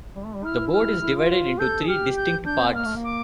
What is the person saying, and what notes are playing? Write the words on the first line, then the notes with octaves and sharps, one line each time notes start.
The Board is divided into three distinct parts.
G3
A3
G3
E4 F6
F6
E4
F4
F4
A4 G6
G4 F6
G6
D4 G6
C4
A#3 F6
A3
A#3
D6